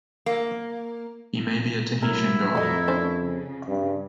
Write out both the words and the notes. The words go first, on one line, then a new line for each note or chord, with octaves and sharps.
He may be a Tahitian god.
A#3
A2 F#3 E4 A#4
F2 F#3 A4 A#4 D#5
D#3 C#4 D4 C5
C#3
G2